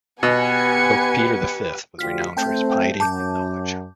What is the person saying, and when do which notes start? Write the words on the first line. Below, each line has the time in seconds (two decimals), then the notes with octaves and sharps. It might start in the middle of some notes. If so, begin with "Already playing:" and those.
Pope Peter the Fifth was renowned for his piety and knowledge.
0.23 B2 B3 G4 B4 G#5 C#7
1.99 D2 F4 G4 F6 B6
2.37 A3 C4 G5 A5 G6
3.00 F#2 A5 D6 G6